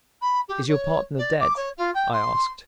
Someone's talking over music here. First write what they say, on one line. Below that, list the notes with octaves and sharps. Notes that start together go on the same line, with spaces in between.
"Is your partner dead?" I asked.
B5
G4
C#5
D5
D6
C#5
F4
G5
C6